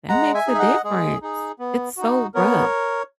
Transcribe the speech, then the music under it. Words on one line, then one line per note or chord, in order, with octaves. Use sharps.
That makes a difference. It's so rough.
G#3 F#5 A#5
E5 G#5
D#4 G#4
E5
D#5 F#5
G#3 G#4
D#4 G#4
B3
D#4 F#4
B3 A#4 C#5